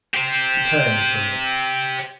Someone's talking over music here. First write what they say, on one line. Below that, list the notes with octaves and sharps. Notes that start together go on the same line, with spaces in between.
She turned from me.
G4 C5